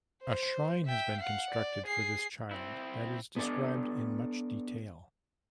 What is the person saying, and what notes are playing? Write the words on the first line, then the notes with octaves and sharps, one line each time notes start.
A shrine has been constructed for this child that is described in much detail.
C5
E5 G5
F5 F#5
D5
G#4 C7
C4 E4
B3 D4 A4 D5